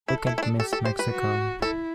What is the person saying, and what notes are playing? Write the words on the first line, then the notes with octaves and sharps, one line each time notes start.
Look at Miss Mexico.
E4 A4
E4
E4
D4
G4 A4
A4
C5
B4
F#4
E4 A4